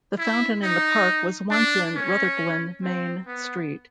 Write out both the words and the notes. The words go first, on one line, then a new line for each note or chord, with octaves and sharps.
The fountain in the park was once in Rutherglen Main Street.
E4
D#4
D4
C#4
C4
B3